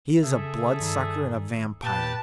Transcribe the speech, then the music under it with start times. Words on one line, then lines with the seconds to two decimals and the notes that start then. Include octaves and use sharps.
He is a bloodsucker and a vampire.
0.24 C#3 G#4 A4 E5
0.80 G2 D#3
1.83 A#2 G4 B4 A5 F#6